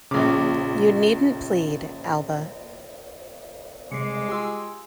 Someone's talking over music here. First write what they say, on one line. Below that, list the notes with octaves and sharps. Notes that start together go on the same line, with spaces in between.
You needn’t plead, Alba.
A#1 C#3 D6
C3 G3 G#3 D6 C7 C#7
F4 G4 G#5 C6 E6